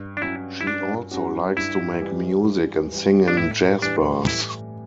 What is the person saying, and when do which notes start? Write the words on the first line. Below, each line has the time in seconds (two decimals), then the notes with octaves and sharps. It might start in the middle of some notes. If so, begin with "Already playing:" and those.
She also likes to make music and sing in jazz bars.
Already playing: G2
0.17 D4
0.21 F#3 C#4 E4 F#4
0.61 E4
0.67 G2 D4
1.11 F#3 C#4 F#4
1.57 G2 E4
2.02 E3 G3
2.47 G2
2.92 E3 G3
3.28 D4
3.37 A2 E4
3.82 E3 G3 D4
4.27 A2 E4